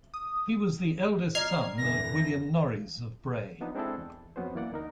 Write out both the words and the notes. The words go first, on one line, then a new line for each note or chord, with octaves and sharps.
He was the eldest son of William Norreys of Bray.
D#6
D5 D#5 A#5 F6 G#6 C7
F1 D3 E3 A#6
F3 B3 D4 D#4
G#3 C4 D4 E4 G#4 A4
E2
F2 F#3 B3 C#4 C5
E3 A#3 D5 F#5
D2 D#4 A#4